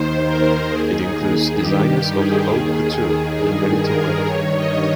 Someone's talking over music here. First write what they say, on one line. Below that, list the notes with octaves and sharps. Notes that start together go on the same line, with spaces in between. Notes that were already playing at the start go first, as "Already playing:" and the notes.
It includes designers of "haute couture" and ready-to-wear.
Already playing: D#2 D#3 C5
A#4
D#2 D#3 G#4
G#4
G2 D#3 G4
G4
G#4
D#2 D#3
G2 D#3 G#4
A#4
G2 D#3 C#5
D#5